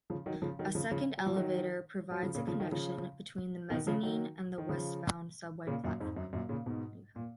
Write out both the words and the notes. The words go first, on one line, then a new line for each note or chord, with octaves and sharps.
A second elevator provides a connection between the mezzanine and the westbound subway platform.
C#3 F3
D#3 F#3
C#3 F3
D#3 F#3
C#3 F3
C#3 F3
F#3
F3
D#3 F#3
F#3
C#3 F3
A#2 C#3
C#3 F3
D#3 F#3
C#3 F3
B2 D#3
C#3 F3
D#3 F#3
D#3
C#3 F3
A#2 C#3
F#2 A#2
F2 G#2
F#2
F#2 A#2
A#2 C#3
G#2 B2
A#2